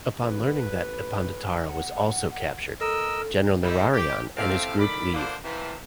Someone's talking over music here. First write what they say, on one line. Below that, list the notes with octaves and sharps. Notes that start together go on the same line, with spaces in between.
Upon learning that "Ippondatara" was also captured, General Nurarihyon and his group leave.
A1 B4
F#5
A4 A#4 D#5 E6
G3 A3 D#4 E4
G4
A2 C3 C4 A4 F5
D#3 A3 D5 B5
D3 F3 A#3 D4 E4 C5
C3 E3 F3